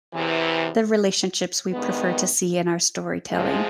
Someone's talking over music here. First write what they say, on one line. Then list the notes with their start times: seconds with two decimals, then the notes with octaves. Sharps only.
the relationships we prefer to see in our storytelling?
0.13 E2 C3 E3
1.72 G2 D#3 G#3 B3
3.31 C3 F3 G#3